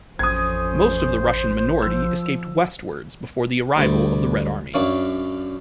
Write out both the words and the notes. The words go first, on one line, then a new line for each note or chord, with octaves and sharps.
Most of the Russian minority escaped westwards before the arrival of the Red Army.
A1 F2 C#4 C5 D#6 G#6
F3 E6
D2 G3
F#2 D4 C#5 F5